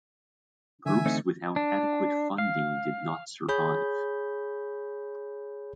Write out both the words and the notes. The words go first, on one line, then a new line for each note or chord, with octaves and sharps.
Groups without adequate funding did not survive.
D3 E3 E5 G#5
A3 C4 D#4
D4
F5
G#4 C#5 B5 G6